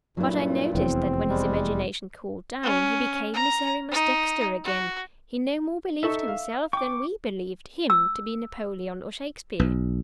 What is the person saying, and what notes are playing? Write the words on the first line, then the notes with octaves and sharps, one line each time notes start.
But I noticed that when his imagination cooled down he became Miserrimus Dexter again--he no more believed himself than we believed him to be Napoleon or Shakespeare.
G2 A#2 F#3 E4
F1 E2 C4
G3 G#3
C#4
A#5
D#4
F#4
D#4 A4 E5 C#6
F5
G5 C#6 D6
E6
B1